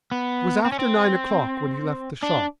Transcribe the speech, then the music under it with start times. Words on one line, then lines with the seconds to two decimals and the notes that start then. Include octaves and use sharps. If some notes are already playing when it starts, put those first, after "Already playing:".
It was after nine o'clock when he left the shop.
0.12 B3
0.65 C4
0.72 C#4
0.79 C4
2.23 D4